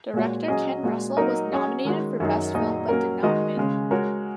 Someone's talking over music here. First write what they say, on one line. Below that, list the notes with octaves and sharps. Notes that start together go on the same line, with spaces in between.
Director Ken Russell was nominated for Best Film but did not win.
A#2 G#3 F#4 C#5
F#3 C#4 G#4 D#5
A#2 G#3 F#4
F#3 A#3 D#4 A#4 D#5
F#3 C#4 G#4 C#5
D#3 G#3 C#4 F#4
F#2 D#3 F#3 D#4 G#4
A#2 F#3 D#4 G#4 D#5
F#3 A#3 C#4 A#4
D#3 G#3 F#4 D#5
C#3 G#3 C#4
G#3 F#4 A#4 C#5